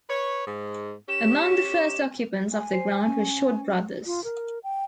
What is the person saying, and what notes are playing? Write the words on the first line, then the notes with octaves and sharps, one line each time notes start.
Among the first occupants of the ground were Short Brothers.
B4 C#5
G#2
C#4 G4 E7
G#5
C5
C#4
F4
A#4
G5